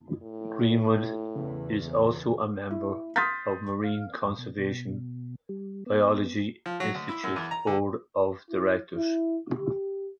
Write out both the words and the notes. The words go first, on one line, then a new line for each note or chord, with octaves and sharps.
Greenwood is also a member of Marine Conservation Biology Institute's Board of Directors.
A2
E2 C#3 E3
E4
C6 D#6 F6 G6 A6 B6
F5
F2
B2
B2
G3
B3
F3
F#3
D2
E4
F#2
E2
A#5
D3
E4
E4
G4